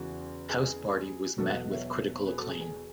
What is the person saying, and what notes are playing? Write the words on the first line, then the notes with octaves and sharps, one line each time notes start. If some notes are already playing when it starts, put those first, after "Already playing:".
"House Party" was met with critical acclaim.
Already playing: E2 C#3 E3 G#3 F#4
G#4
E1 E2 B2 F#3 F#4 A4
D#5 F#5
C#5 E5
G#4 B4
F#4 A4
G#4
G#4